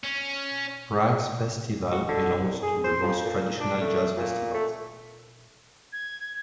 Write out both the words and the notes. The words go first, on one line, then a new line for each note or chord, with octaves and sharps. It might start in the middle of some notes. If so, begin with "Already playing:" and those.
Prague's festival belongs to the most traditional jazz festivals.
C#4
F#4
D3
C2
G#4
C5
F2
A#2
D4
A3
A#2
A3
G#6